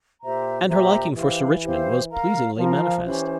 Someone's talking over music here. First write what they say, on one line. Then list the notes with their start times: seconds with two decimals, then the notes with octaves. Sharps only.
And her liking for Sir Richmond was pleasingly manifest.
0.21 A#2 G4 C5 E5 A#5
0.69 G4 C5 E5 A#5
1.15 E3 E4 G4 C5 F5
1.63 E4 G4 C5 F5
2.10 A#4 F5 A#5
2.57 F3 A#4 F5 A#5
3.05 E3 C#4 G4 C5